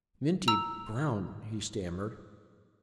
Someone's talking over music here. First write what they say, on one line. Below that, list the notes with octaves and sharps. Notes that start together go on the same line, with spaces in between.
"Minty Brown!" he stammered.
A#5 E6